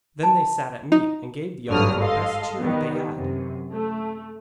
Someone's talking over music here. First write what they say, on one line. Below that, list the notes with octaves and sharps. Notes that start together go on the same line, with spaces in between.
Then they sat at meat, and gave the young man the best cheer that they had.
A5
D#4
G#1 G2 D3 F#3 D#6 F6
A4 D#5 F5 C6
D#3 G3 B3
F#2 C3
A3